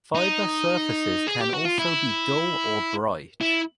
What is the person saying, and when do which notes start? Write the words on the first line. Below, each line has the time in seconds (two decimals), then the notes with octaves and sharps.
Fiber surfaces can also be dull or bright.
0.15 D#4
1.28 G#4
1.41 G4
1.54 F#4
1.65 F4
1.79 E4
3.41 E4